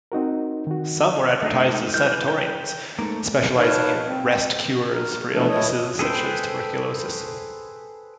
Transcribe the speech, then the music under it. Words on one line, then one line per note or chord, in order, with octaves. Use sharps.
Some were advertised as sanatoriums, specializing in rest cures for illnesses such as tuberculosis.
C4 D#4 F#4 A#4
D#3 F#4
D2 A3 D#4 G#4
G#2
E3 G3 F6 G6
G5
G#2 A3 A#3
D#4 A#4 B4 C#5 F5 A5
C4
F#4
A#4
B2 E3 F3 A3 D4 A4
E4 C#5 D#5
G#4 A4 B4 C5 G5